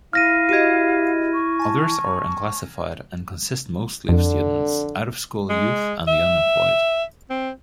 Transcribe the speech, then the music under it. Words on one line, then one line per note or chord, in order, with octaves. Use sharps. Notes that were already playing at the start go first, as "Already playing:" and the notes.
Others are unclassified and consist mostly of students, out-of-school youth and the unemployed.
E4 F5 F6 A#6 D#7
F#4 G4 D#5 G#6 D#7
C#6
G#5 A5
F2 D3
G#3
E5
C4